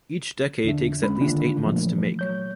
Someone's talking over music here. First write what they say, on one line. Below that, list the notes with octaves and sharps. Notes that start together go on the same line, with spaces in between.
Each decade takes at least eight months to make.
E2 D3 D4 E5
G#3 C#4 B5
D3 D#3 A#3 D4 F4
A#2 E3 F3 G3 A3 A#3
F#3 C#5 G6